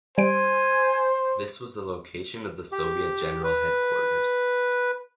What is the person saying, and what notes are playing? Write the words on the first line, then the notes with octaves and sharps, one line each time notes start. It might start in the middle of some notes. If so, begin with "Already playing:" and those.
This was the location of the Soviet general headquarters.
G3 C5 G#5 D7
G4
B4